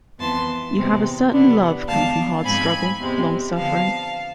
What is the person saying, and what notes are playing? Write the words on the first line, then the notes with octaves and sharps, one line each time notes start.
You have a certain love come from hard struggle, long suffering.
F2 E3 B3 A5 C6
E2 C3 E3 G#3 C4
C3 E3 B3 D4
E2 D3 G#3 D4 F5 A5
G#2 F3 G#3 C4 G#5 B5
E2 C3 G#3 C4
D3 F3 B3 F5 A5